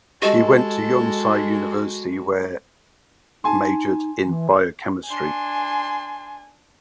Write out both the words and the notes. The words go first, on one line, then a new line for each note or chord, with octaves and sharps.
He went to Yonsei University where majored in Biochemistry.
G#3 F#4 G4 A4 D#5
D#4 G#5 A5 C6
E3
D4 G#5 C6